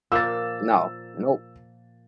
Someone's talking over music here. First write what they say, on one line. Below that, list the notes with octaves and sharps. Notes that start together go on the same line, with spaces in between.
No, nope.
A#2 F3 A#3 E6 A6